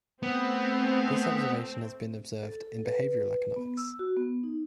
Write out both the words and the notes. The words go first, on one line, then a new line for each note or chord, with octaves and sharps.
This observation has been observed in behavioral economics.
A3 B3 C4
A4
A4
B4
B3
E6
F#4
B3
D#4